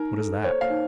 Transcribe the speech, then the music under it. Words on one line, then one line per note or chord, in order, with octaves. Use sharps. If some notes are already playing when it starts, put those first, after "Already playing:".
"What is that?"
Already playing: D#4 A#4
A4
C5 C#5
F5
D#4